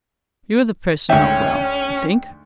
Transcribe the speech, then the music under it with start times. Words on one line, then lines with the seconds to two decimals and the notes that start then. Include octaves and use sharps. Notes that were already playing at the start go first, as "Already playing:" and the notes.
You are the person not well, I think.
1.10 D2 G#2 C#4 E5 G5